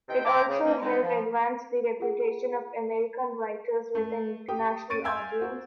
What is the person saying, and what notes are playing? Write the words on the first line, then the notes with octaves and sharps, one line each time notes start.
It also helped advance the reputation of American writers with an international audience.
C3 E3 D#4 G5
E5 A5 A#5 D6
C#3
D3 E3 F3 A#3 C#4
D3 D#3 F3 G#3 D#4
F3
F4 G#4 F#5
A3
G4 G5 D#6
C#4 C#6 A6 D7 D#7
E5 F5 G#5 E6 G6 G#6
F#4 C5